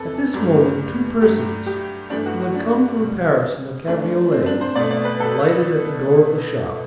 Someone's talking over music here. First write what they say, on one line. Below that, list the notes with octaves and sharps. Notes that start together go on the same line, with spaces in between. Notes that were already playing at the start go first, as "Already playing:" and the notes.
At this moment two persons, who had come from Paris in a cabriolet, alighted at the door of the shop.
Already playing: E2 C3 E3 A4 B4
G2 F#3 A3
G2 F#3 A3 G4
G4
G2 E3 A3 D4
F#4
F#4
D4
B2 G3
F#2 E3 A3 D4
C4
D4
C5
B2 A3 D5
D5
B4
A4